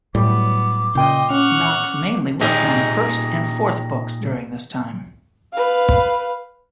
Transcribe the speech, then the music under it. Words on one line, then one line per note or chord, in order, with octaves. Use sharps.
Knox mainly worked on the first and fourth books during this time.
A2 F#3 G3 B3 D6
A#2 C#3 D#5 G5 C6
C#4 F#5 C#6 F6
A#2 D#4 G4 G#4
B4 F5